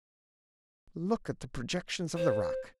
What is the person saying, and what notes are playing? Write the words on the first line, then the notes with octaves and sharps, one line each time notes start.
Look at the projections of the rock.
C5